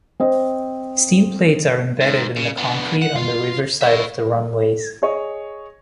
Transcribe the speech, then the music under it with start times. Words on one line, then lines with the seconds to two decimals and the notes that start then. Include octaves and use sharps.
Steel plates are embedded in the concrete on the river side of the runways.
0.20 C4 C5 D#5
2.01 G#2
2.36 C#3
2.58 B3 D4
3.02 F#5
3.16 F4
3.81 C#5 E5
5.02 G#4 C#5 D#5